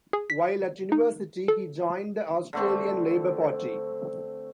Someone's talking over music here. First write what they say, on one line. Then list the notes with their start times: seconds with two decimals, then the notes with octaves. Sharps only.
While at university, he joined the Australian Labor Party.
0.13 G#4
0.30 B6
0.92 D#4
1.48 A4
2.53 D3 A3 C4